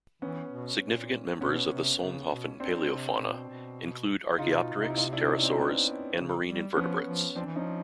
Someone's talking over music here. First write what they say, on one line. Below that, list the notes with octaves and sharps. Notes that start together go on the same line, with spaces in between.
Significant members of the Solnhofen paleofauna include "Archaeopteryx", pterosaurs, and marine invertebrates.
E3 B3 C#4
B2
A#2
B2 B3 C#4
C3
C#3
B2
C4 D4
C3
B2
A#2
B2
B2
C#3 D#4 F4
C3
B2
C3
D#4
E4
D#4 F4
D4 E4
C#4 D#4
C4 D4
B3 C#4
C#3
G3
F3 B3 C#4
F3
F3 C4 D4
E3
F3 C#4 D#4